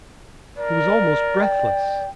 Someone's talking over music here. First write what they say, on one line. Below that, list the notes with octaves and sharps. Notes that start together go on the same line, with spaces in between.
He was almost breathless.
A#4 D5
G5